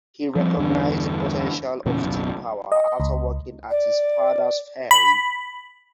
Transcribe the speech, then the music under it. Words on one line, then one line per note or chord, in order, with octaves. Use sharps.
He recognized the potential of steam power after working at his father's ferry.
F3 G3 C4
E2 G2 D3
E2 A#2 C#3 A#3
F#1 B1
D#5
C#2
D5
B5